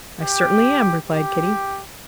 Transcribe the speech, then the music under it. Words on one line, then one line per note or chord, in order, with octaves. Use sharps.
"I certainly am," replied Kitty.
G4
G4